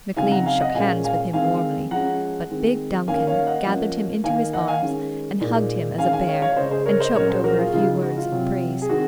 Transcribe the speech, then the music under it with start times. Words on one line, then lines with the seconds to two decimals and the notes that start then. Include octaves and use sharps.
McLean shook hands with him warmly, but big Duncan gathered him into his arms and hugged him as a bear and choked over a few words of praise.
0.17 C#3 F#3 C4 D#4 F5 G#5
0.31 F#5 A#5
0.46 F5 G#5
0.60 D#5 F#5
0.75 A#2 G#3 C#4 F5 G#5
1.04 F5 G#5
1.33 D#3 G#3 C4 D#4 F5 G#5
1.91 F3 G#3 C#4 F#5 A#5
2.50 D#3 G#3 C4
3.08 D#3 A#3 C#4 F5 G#5
3.27 C#5 F5
3.43 F5
3.46 D#5 F#5
3.66 F3 A#3 C#4
4.24 D#3 A#3 D#4 F5 G#5
4.53 D#5 F#5
4.68 F5 G#5
4.82 D#3 G#3 C#4
5.40 A#2 G#3 D#4
5.98 D#3 G#3 C#4 F5 G#5
6.13 F5 G#5
6.27 C#5 F5
6.42 C#5 F5
6.52 C#5
6.57 C#3 G#3 C#4 C5 D#5
6.71 G#4 C5
6.86 A#4 C#5
7.00 C5 D#5
7.15 A#2 F#3 C#4 A#4 C#5
7.29 G#4 C5
7.44 F#4 A#4
7.58 F4 G#4
7.73 C#3 F3 G#3 D#4 F4 G#4
8.02 F#4
8.17 F4
8.32 C3 F#3 C4
8.82 G#4
8.89 D#3 G#3 C4 D#4 F#4